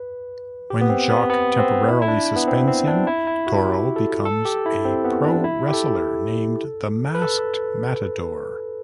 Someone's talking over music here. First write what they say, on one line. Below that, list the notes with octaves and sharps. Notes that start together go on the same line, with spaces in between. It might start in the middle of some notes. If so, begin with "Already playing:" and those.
When Jock temporarily suspends him, Toro becomes a pro-wrestler named "The Masked Matador".
Already playing: B4
G4
B3
C4
B3
B3
C4
E4
E4
D4
B3
C4
C4
D4
E4
E4
F#4
G4
A4
A4
G4
E4
C4
B3
D4
E4
G4
A4
B4
A4